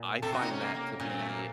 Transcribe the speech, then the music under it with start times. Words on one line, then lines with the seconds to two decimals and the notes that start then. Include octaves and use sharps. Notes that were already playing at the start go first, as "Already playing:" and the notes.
I find that to be
Already playing: A#2
0.22 C3 A4
0.33 F#4
0.42 D#4
0.51 C#4
0.61 A#3
0.74 A#3
1.00 A#2 C#4
1.10 C4
1.19 A3
1.29 A#3